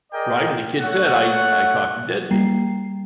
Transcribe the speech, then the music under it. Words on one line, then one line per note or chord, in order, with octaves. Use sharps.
Right, and the kid said, "I I talk to dead people."
G#4 A#4 D5 D#5 G5
A3 C#5 F#5
G3 A#3 C7